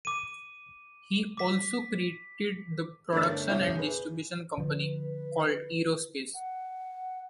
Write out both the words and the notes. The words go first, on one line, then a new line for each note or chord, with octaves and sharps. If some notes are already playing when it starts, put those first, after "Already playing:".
He also created the production and distribution company called Eurospace.
D6 D#7
D6 B6
G1 A3 A#4 D5 A6
G1 C2 E4 C#5 G6
G#4 B4
D3 F3 B4
F#5